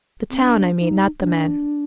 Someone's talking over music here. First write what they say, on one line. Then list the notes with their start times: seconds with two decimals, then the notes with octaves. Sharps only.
The town, I mean; not the men.
0.30 C4
0.40 D4
0.80 D#4
1.20 D4